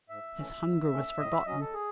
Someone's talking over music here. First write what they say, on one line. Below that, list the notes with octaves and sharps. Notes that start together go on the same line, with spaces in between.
His hunger was forgotten.
G#2 E5
E3 A3 C#4
E2
D#3 A3 C#4
A2 D#5
E5
F#3 C#4 D#5
A4
G#4